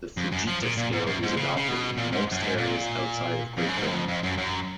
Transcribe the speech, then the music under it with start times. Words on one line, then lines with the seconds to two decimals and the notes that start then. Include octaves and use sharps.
The Fujita scale was adopted in most areas outside of Great Britain.
0.17 F2
0.32 F#2
0.47 F3
0.62 A#2
0.77 A#2
0.93 G#2
1.07 F#2
1.23 G#2
1.37 C#3
1.57 C#3
1.68 B2
1.98 A#2
2.12 G#2
2.32 F#2
2.42 G#2
2.58 A#2
3.58 F2
3.69 F#2
3.78 G#2
3.89 F#2
3.93 F2
4.08 F2
4.23 F#2
4.38 F#2